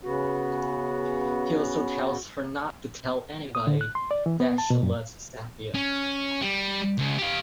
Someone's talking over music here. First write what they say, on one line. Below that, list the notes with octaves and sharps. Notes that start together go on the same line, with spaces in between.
He also tells her not to tell anybody that she loves Sathya.
C#3 B3 F#4
D#6
D3
F#6
C6
D5
E3
B3
A5
B2
F#2
C#4
G3
C#2
G4 F5